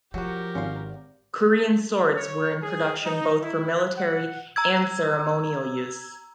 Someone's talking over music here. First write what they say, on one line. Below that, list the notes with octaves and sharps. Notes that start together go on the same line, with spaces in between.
Korean swords were in production both for military and ceremonial use.
F3 F#3 F#4 G4 A#4
G#1 C#4 F4 F5
C#5
G#4
D#4
E4
F#5
A#5 E6 G#6